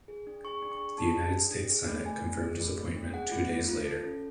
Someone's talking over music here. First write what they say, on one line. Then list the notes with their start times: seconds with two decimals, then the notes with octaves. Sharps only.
The United States Senate confirmed his appointment two days later.
0.08 G#4
0.27 D4
0.45 G#4 C#6
0.62 D4
0.72 C#6
0.80 G#4
0.98 D4 A5
1.16 G#4
1.34 D4
1.52 D4
1.70 G#4
1.87 A3
2.05 A3 G#5
2.24 D4
2.42 G#4
2.60 A3
2.77 A3
2.96 D4
3.14 G#4 F#5
3.31 A3
3.50 A3
3.68 F4
3.85 A4
4.04 C#4